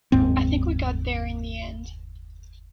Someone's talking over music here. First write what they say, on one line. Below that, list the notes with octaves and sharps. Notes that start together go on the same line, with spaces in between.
I think we got there in the end.
F#1 D#2 G#2 C4